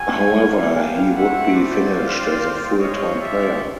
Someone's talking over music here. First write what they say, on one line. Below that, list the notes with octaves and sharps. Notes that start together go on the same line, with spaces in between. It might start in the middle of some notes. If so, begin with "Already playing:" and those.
However, he would be finished as a full-time player.
Already playing: A3 C#4 E4 G4 F#5 G#5
G3 B3 D4 F4
F5 G5
A3 C4 E4 G4 E5 F#5
C5 D5
C4 F4
A3 C4 F4 C#5 D#5
D5 E5